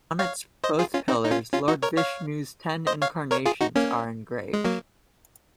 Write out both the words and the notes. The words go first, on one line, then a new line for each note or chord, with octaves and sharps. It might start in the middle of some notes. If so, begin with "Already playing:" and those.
On its both pillars Lord Vishnu's ten incarnations are engraved.
C#5 F5
C5 D#5
F4 G#4
C#4 F4
C4 D#4
D#4
C#4 F4
C#4 F4
D#4 F#4
A#4 C#5
C#5 F5
C5 D#5
C#5 F5
A#4 C#5
F4 G#4
D#4 F#4
A#3 C#4
G#3
F#3 A#3